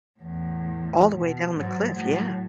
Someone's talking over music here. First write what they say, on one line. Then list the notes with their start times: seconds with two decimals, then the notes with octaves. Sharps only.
All the way down the cliff, yeah.
0.20 E2 A2
1.17 B2
1.54 G#2 F#3
1.92 A2 F#3